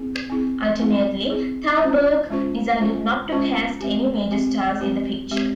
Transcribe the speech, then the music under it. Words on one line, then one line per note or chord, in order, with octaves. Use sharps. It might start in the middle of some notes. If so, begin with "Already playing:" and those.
Ultimately, Thalberg decided not to cast any major stars in the picture.
Already playing: C4 E4 G#4
C4 E4 G#4
C4 E4 G#4
C4 E4 G#4
G#3 C#4 F4 C5
G#3 C#4 F4 C5
G#3 C#4 F4 C5
G#3 C#4 F4 C5
G#3 C4 G4
G#3 C4 G4
G#3 C4 G4
G#3 C4 G4